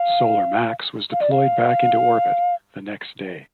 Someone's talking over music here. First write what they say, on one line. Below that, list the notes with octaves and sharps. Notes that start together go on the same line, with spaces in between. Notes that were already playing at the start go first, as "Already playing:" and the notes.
Solar Max was deployed back into orbit the next day.
Already playing: F5
F5
D5
F5